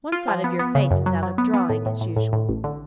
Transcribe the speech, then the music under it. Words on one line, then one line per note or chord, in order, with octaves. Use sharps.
One side of your face is out of drawing, as usual.'
F4
F3
B3
B3
C#3
F#2
F#3
F#3
B3
B3
A2
A2
A2
A2
A2
A1
D3